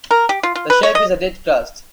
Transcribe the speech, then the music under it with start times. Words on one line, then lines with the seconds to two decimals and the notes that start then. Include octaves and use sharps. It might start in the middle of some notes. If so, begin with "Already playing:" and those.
The shape is a dead crust.
0.11 A#4
0.29 G4
0.43 F4
0.55 F4
0.70 B4
0.83 C#5
0.95 D#5